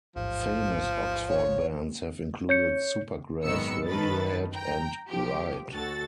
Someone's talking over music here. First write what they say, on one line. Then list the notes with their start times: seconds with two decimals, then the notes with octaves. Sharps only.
Famous Oxford bands have included Supergrass, Radiohead and Ride.
0.16 A1 D#2 G#2 F3
1.29 C#5
2.49 C#5 G6 C#7
3.43 G#1 F#2 D#3 B3 E6 C#7
3.88 F#2 D#3 A4 B4 A6
4.54 G5 A#5
5.08 F3 G4
5.71 D2 F#4 A4 A6